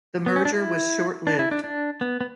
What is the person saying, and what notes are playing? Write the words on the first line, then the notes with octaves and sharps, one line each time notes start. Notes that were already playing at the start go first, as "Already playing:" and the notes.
The merger was short-lived.
B3
C#4
D4
E4
D4
E4
D4
D4
B3
B3